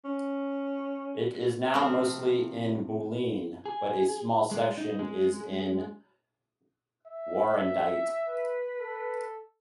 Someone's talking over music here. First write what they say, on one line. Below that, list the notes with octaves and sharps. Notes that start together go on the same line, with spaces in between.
It is now mostly in Bulleen, but a small section is in Warrandyte.
C#4
C3 F3 A3 C4 A#4
G#4
G#3
D#4
G#3
E5
B4
A4